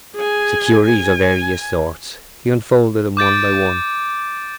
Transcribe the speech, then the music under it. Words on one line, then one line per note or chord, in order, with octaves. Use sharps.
"Securities of various sorts." He unfolded them one by one.
G#4 G#5
G#5
D6 G6 A6 D7